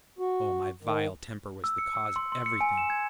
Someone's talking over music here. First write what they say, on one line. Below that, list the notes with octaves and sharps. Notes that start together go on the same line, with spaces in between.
Oh, my vile temper was the cause of everything!
F#4
D#3
E6
C#7
E6
C6
C6
C#7
G#5
E7
G#6